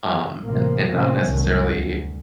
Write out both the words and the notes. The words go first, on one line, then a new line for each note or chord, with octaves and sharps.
um, and and not necessarily
A1 A2 C3 A#3 C4
A2 C3 F3 A#3 C4 C#4
F#1 C2 D3 D#3 A3
D2